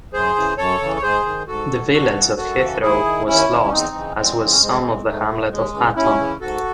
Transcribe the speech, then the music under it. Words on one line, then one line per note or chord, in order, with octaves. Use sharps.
The village of Heathrow was lost, as was some of the hamlet of Hatton.
F#2 G#4 C5
C#3 E3
F#2 A4 C#5
C#3 E3
C#5
G#2 G#4 C5
D#3
G#2 F#4 A4
D#3
F#2 F#4 A4
C#3 E3
F#2 F#4 A4
C#3 E3
D#2 E4 G#4
D#3
D#2 C#4 E4
D#3
C#4
E2 C4 D#4
C#3 E3
E2 G#3 C4
C#3 E3
C#4
G#2 G#3 C4
E3
G#2 A3
E3
D#2 G#3
C#3 E3
D#2 C#4 E4
C#3 E3
G#2 F#4 A4